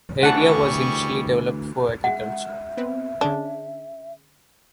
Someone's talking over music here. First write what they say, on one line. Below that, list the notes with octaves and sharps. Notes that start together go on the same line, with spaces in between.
The area was initially developed for agriculture.
D2 E3 G3 G#4 F#5 A5 C#6
G#3 E5 F#5
B3 C4 B4
D3 C#4 D4 G#4